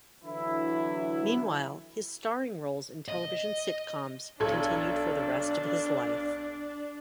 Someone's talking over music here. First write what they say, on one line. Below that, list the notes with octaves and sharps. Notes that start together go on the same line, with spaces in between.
Meanwhile, his starring roles in television sitcoms continued for the rest of his life.
D3 E3 F#3 E4
D#5
B1 D4 A4 G#6